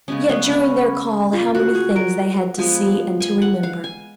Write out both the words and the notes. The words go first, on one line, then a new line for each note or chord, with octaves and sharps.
Yet during their call how many things they had to see and to remember!
C#3 G#3 B3 C#4
B3
C#4
F4
F#4
G#4
A#4
F3 G#3 B3 G#5
G#5
F#5
F5
G#5